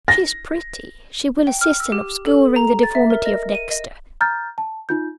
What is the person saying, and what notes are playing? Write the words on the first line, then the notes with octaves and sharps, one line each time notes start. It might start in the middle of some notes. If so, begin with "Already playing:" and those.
She is pretty; she will assist in obscuring the deformity of Dexter.
A#6
G5
F6
E6
G4
A4
A#5
A6
E5
A#4
D#5
D#7
D#5
A#5 F6 G6 A6
A5
D#4 F4 G6